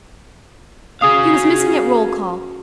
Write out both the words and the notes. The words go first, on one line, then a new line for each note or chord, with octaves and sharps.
He was missing at roll-call.
C#4 F#4 G#4 F5 D#6